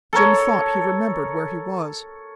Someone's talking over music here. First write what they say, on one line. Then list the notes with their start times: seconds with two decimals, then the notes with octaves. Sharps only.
Jim thought he remembered where he was.
0.13 A4 A#4 C#5